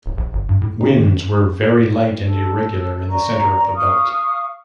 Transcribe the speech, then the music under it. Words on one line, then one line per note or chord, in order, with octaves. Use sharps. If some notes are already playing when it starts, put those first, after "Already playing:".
Winds were very light and irregular in the center of the belt.
D1
A#1
G1
G2
A2
D#4
D#3
A4
D5 A#5 C#6
F5 C#6 D#6 F6